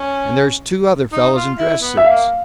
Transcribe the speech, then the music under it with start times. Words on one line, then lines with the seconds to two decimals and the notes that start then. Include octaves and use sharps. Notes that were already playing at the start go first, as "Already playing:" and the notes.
And there's two other fellows in dress suits.
Already playing: C#4
1.12 D#4
1.35 F4
1.58 E4
1.81 B3
1.97 E5
2.05 A#3 F5